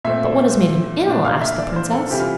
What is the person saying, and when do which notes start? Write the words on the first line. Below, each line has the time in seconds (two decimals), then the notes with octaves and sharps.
'But what has made him ill?' asked the princess.
0.05 A#2 A3 C4 E5
1.08 A#2 A3 D4
1.25 F5
1.41 E5
1.58 D5
1.76 C5
1.93 A4
2.10 C3 E3 G3 G4
2.19 F4